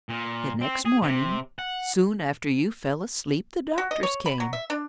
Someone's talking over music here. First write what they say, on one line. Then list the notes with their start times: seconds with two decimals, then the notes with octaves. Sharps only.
The next morning, soon after you fell asleep, the doctors came.
0.09 A#2
0.61 C4
0.85 G#4
1.02 C3
1.59 F#5
3.78 F#4
3.91 D#5
4.03 C#5
4.26 B5
4.40 F#3
4.53 E5
4.70 D4